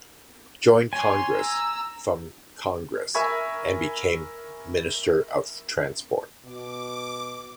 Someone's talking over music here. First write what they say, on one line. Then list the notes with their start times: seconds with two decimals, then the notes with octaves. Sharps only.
Joined Congress from Congress and became Minister of Transport.
0.93 C#5 G#5 C6
1.35 A#5 E6
3.14 A#4 E5 G#5 B5 C#6 G#6
6.45 B2 D6